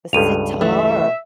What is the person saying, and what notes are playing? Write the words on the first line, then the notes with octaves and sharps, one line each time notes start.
The sitar.
C#2 G2 A4 D#7 F7
E3 A3 E5